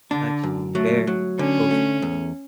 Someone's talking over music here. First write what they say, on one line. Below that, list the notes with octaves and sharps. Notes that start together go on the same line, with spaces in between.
touchy, very close with me,
D3 D4
F#2
F#3 A3
F#3
D3 C#4
A3
E2